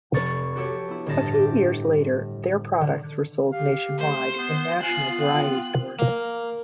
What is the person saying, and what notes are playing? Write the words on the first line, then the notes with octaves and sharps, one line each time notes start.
A few years later their products were sold nationwide in national variety stores.
F1 C#6 A6
F#4 G4 A4 C#5
B3 E4
G1 A2 D3 A5 A#6
G4
D3
G4 F5
A3 C5
B3
B3 F4 G#5 F#6 C7
G5 F#6
A#3